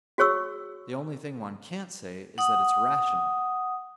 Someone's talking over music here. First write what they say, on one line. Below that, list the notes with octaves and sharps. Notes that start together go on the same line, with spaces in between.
The only thing one can't say is that it's rational.
F#4 G#4 C#5 C#6 E6
F#5 D#6